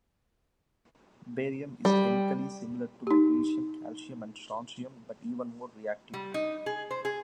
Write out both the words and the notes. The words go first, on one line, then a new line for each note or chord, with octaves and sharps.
Barium is chemically similar to magnesium, calcium, and strontium, but even more reactive.
G3
D#4 G4
G3
D#4
G#4
C5
G#4